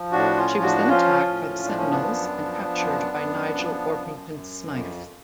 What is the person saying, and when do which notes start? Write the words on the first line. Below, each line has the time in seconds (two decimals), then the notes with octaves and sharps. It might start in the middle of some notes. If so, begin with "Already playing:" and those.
She was then attacked by the Sentinels and captured by Nigel Orpington-Smythe.
Already playing: F3
0.12 A2 D4 F#4
0.37 C#4 F4
0.51 F3
0.63 D4 F#4
0.89 F3 C#4 F4
1.27 A2
1.64 F3 D4
1.78 C#4
1.91 B3 D4
2.03 F#2
2.41 F3
2.79 F#2
3.17 F#2
3.54 F3
3.93 F#2
4.30 F#2
4.69 F2